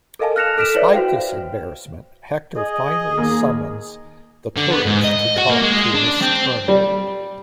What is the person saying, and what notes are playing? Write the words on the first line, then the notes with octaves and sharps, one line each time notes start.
Despite this embarrassment, Hector finally summons the courage to talk to Miss Turner.
A4 A#4 D#5 F5 G#5 A5
F6 F#6 A#6 C#7 E7 F7
A4 F6 B6 D7 E7
E4 B4 C#5 D5 E5
F#4 C5 F5 G5
G#4 D#5
D#2 A#3
D3
B3
G#2
D#5
F#4
A#3
G#3
D4
C4
G3